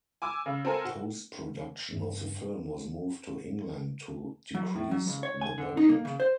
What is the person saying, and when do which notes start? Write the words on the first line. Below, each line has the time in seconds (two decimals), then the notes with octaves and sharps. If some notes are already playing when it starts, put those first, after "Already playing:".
Post-production of the film was moved to England to decrease the budget.
0.22 G#5 D6 E6
0.46 C#3
0.65 C4 A4 A#4 G#5
0.85 F#4
1.92 G2
4.55 F#3
4.76 A2
4.91 F#3
5.07 C#2
5.23 C#5
5.41 G#5
5.58 D3
5.77 D#4
5.89 A#3
6.05 C#3
6.20 C5